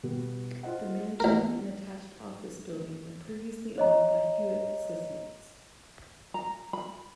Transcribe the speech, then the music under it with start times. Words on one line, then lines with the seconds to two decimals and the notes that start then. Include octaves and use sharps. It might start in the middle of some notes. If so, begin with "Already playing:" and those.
The mansion and attached office building were previously owned by Hewitt Associates.
0.03 B2 G3 B3 F#4
0.63 F4 C5 D#5 F#5
1.20 A1 A#4
3.78 C#5 D#5 A#5
6.34 A#5
6.73 B5